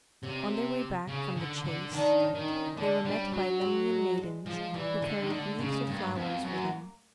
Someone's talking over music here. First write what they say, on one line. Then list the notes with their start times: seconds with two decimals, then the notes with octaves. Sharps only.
On their way back from the chase they were met by Lemnian maidens who carried wreaths of flowers for them.
0.23 C3 C#4
1.07 C#3
1.36 D3
1.64 D3
1.92 D#3 D4
2.20 C#4
2.34 D#3
2.48 C#4
2.77 D3 D4
3.05 G3
3.19 C#4
3.33 F#3
3.61 C4
3.90 G#3
4.18 G#3
4.46 F3 G#3
4.74 E3 G3
5.02 D3 G#3
5.23 D#3
5.30 D3 A3
5.59 C#3 G#3
5.87 G2 A#3
6.15 F2 B3
6.43 F#2
6.58 A#3